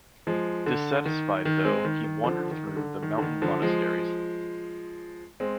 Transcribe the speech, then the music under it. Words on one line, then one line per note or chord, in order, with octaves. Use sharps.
Dissatisfied, though, he wandered through the mountain monasteries.
F3 G#3
D3
D#3
D#3
G#3 C4
D#3
D#3
D3 F3
D#3
D#3
D3
D#3
D3
D#3
D3 F3
F3 G#3
G#3 C4